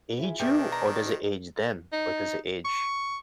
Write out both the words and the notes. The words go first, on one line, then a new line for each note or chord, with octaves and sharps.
age you? Or, does it age them? Or does it age
E4 F4 G#4
B2 D#3 D4 G4 G#4 E5
A#5
B4
D#4 F#4 C5
D#4
C#6